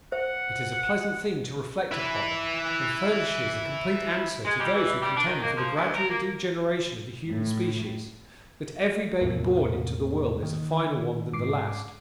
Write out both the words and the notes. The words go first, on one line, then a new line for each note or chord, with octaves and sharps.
It is a pleasant thing to reflect upon, and furnishes a complete answer to those who contend for the gradual degeneration of the human species, that every baby born into the world is a finer one than the last.
C5 F#5
E4 B4
G#3
G3
E3
G3
D4
D#3
A#3
F3
D2
A#4
A#3
A2
E2 A2 C3 A#3
D#3
G#2 D6 C7